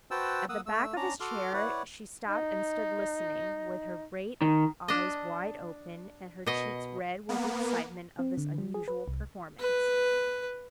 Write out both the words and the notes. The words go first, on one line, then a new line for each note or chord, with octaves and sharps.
At the back of his chair she stopped and stood listening, with her great eyes wide open and her cheeks red with excitement of this unusual performance.
F#4 B4 C5 G5 A5 E6
A#3 F#5 D#6 E6
A3 E6
C#4 D4 D5 A#5
F#4 A4 C6 D6 F6
E4 B4 C#5 D5 F#5
D#4
D#3
D4 D#5
B2 D#5
A#3 B3
C4
D3
G3
G#4
B4
C2
B4